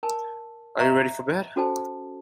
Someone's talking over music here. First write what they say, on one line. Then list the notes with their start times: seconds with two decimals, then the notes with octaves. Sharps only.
Are you ready for bed?
0.03 A#4 G#5 A5
0.78 D#5 E5 A#5 C#6
1.56 C#4 F#4 A4 C5 G#5 A5